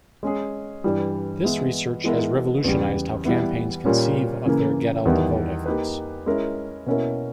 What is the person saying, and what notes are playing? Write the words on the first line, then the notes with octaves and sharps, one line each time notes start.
This research has revolutionized how campaigns conceive of their get out the vote efforts.
G#3 C#4 G#4
G2 E3 G3
E3 G#3 B3 E4 G#4
E3 G#3 B3 E4 A#4
E2 C#3 G3
E3 G3 B3 E4
A#2 G3 A#3 C#4
C#3 E3 A#3
E2 D#3 G3 B3 E4
A#3 D#4 G4 B4
G#3 C#4 E4 A#4
B2 A#3 C#4 E4 A#4